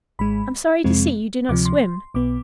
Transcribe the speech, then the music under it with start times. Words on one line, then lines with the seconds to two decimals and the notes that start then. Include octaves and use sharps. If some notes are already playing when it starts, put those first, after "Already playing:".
I'm sorry to see you do not swim.
0.19 G#1 G#2 G#3 B5
0.84 F2 C3 G#3 C4
1.49 D2 C3 F3 D6
1.65 C6
2.14 B1 B2 B3 D6